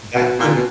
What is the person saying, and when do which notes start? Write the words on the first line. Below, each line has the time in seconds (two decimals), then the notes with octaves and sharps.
That one
0.15 B2
0.39 A#2
0.56 B2